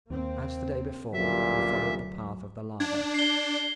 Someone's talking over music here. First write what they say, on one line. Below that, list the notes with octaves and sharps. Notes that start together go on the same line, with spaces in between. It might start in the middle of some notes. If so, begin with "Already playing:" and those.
As the day before, we followed the path of the lava.
D#2 A#3 C4
A1 D2 G2 A#2 F#3 E5
D4 G#6
C7 G7